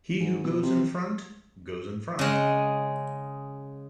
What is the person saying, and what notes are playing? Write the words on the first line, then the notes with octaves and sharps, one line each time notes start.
He who goes in front, goes in front.
G#2
B2
C3
C#3 G#3